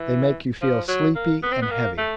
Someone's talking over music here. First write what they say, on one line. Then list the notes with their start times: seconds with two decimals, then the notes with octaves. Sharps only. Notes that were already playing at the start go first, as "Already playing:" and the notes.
They make you feel sleepy and heavy.
Already playing: E3
0.62 F3
0.88 F#3
1.15 A#3
1.43 B3
1.52 C4
1.62 B3
1.70 A#3
1.98 A3